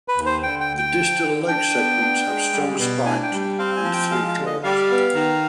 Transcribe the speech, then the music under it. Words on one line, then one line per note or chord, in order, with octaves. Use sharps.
The distal leg segments have strong spines and three claws.
B4
D#2
C5
D3 G5
G5
D2
G5
F3
D3
D4 G5
B3
D4
G#3
G3
B2
D4 G#5
G5
G3
G5
C4 F5
G#5
F3
G5
G#3 F5
F5
D3
D#5
G3 F5
B3
D#3